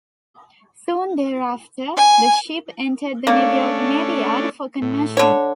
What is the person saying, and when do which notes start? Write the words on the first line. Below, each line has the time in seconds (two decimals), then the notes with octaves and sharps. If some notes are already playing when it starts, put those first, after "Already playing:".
Soon thereafter, the ship entered the New York Navy Yard for conversion.
1.97 G#5
3.27 A3 A#3 C#4 D4
4.82 A2
5.17 D3 C#5